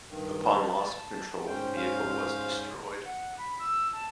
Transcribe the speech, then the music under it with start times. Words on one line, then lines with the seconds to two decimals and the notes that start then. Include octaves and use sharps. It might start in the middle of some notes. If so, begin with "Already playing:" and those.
Upon loss of control, the vehicle was destroyed.
0.09 G2 D#3
0.59 A5
1.47 G#2 C#4 C5 G5
1.77 F5
3.04 F#5
3.38 B5
3.59 E6
3.92 A5